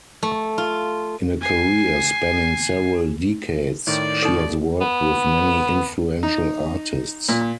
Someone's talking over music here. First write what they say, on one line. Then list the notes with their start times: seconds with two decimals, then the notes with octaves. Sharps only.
In a career spanning several decades, she has worked with many influential artists.
0.23 A3
0.58 F4
1.41 G#5 C7
3.87 A2 D#3 D5
4.22 D#4 A4
4.81 B3
6.23 D#4
7.29 A#2